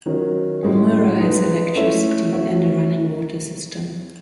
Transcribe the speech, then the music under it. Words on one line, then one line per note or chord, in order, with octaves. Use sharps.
Murra has electricity and a running water system.
D#3 F#3 C#4
A2 G#3 C#4 G#4
G#3 D#4 G#4 B4
A3 C#4 E4 A4 E5
A3 C#4 F#4 C#5 E5